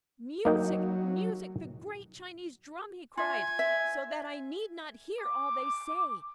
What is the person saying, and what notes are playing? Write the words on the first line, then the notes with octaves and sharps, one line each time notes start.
"Music! music! the great Chinese drum!" he cried, "so that I need not hear all they say!"
F#3 A#3 D#4 G5
F4 E5 G#5
E5
D6